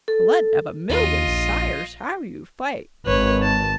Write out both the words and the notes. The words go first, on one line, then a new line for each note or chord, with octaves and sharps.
Blood of a million sires! how you fight!
A4
D#2 F4 D#5
A#1
G#1 B4 C#5
A5